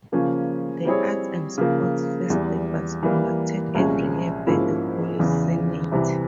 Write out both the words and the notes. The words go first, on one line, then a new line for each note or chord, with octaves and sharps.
The arts and sports festivals conducted every year by the college senate.
C#3 F3 A#3 C#4
G3 C4 E4 G#4 C#5
C#3 F3 A#3
E2 E3 G3
E3 G3 A#3
C2 A#2 F3 G#3 C#4
G#2 F3 A#3 C#4 E4
E2 C#3 E3
C2 C3 E3